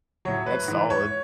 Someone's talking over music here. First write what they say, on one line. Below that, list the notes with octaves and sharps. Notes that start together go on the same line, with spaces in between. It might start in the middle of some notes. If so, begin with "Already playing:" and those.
that's solid.
A2 F#3 C#5
B4
G#2 E3
C#5